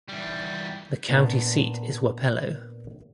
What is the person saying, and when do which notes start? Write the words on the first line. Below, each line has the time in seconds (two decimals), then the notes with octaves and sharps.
The county seat is Wapello.
0.09 E2 G3
1.09 A#2 B3 D4